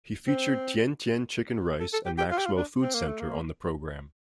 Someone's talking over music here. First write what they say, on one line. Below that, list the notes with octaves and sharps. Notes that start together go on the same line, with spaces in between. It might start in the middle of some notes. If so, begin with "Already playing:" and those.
He featured Tian Tian Chicken Rice and Maxwell Food Centre on the programme.
C4
A4
A4
G4
G4
F4
G4
F4
D4
C4
A#3
A3
A#3